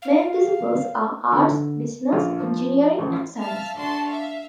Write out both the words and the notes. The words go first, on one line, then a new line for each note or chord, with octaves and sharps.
Main disciples are arts, business, engineering and science.
F5
D3
A#1 F4
F3
A1 F3
E5 F5 A5 F6
A3 D4 F#4 A5 C6
E5 F5